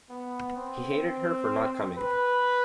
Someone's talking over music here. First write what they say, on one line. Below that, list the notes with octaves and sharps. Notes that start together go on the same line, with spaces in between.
He hated her for not coming.
B3
C4
B4